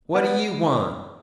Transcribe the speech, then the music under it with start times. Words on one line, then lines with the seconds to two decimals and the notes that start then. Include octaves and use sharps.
"What do you want?"
0.14 B3